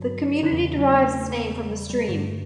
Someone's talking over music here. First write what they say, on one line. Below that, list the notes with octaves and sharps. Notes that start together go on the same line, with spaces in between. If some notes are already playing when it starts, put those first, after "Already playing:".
The community derives its name from the stream.
Already playing: G2 D3 F#3
D3
E2 C#3 E3
F#3
B3
A3
C#4
B3
A3
G3
G3
G2 D3 A3